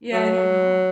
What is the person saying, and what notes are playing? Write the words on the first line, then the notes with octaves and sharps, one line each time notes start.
Yeah, I don't know.
F#3